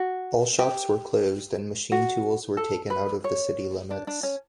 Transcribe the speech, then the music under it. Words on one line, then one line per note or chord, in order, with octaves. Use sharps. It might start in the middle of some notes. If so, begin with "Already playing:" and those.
All shops were closed, and machine tools were taken out of the city limits.
Already playing: F#4
G4
F#4
A4
B4
C#5
D4
D4
C#4